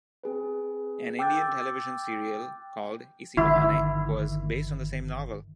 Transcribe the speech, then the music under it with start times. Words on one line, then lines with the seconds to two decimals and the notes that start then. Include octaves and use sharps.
An Indian television serial called Isi Bahane was based on the same novel.
0.24 C4 G#4 B4
1.19 G5 D6 E6 F#6 G6 A6
3.37 G1 D3 D#3 E4